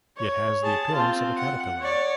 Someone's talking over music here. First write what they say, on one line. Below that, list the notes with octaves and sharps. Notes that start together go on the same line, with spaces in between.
It has the appearance of a caterpillar.
C#5
G#4 A5
C4 F4
F#5
C#5 D5